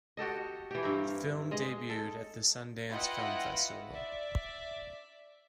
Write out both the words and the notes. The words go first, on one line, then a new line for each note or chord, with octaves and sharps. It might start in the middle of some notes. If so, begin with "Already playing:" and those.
The film debuted at the Sundance Film Festival.
F#4 G4 A4 D#5
E3 G4
G2 C4 A#4
G#3 D#5
A4
E4 F4 B4 D#5 F#5 G5
D5 E5